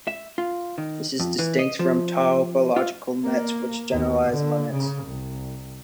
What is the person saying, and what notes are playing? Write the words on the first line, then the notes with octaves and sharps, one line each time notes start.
This is distinct from topological nets which generalise limits.
E5
F4
D#3
F2
E3
D#5
F3
F4
A#3
D#2
D3
C#3
C2